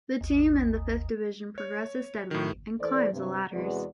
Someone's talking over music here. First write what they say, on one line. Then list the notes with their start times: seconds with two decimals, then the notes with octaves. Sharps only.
The team in the fifth division progresses steadily and climbs the ladders.
0.21 G#1 D#2
1.58 C#5
2.31 A2 D#3
2.80 E3 A4 C5 D5
3.11 G2 C3
3.52 E2 C3 G#3 F#4 B4 D5